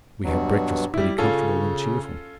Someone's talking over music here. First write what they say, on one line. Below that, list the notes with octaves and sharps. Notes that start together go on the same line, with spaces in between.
We had breakfast pretty comfortable and cheerful.
G2 B2 F#3
G3 E4
C#3 C#4 F4 A4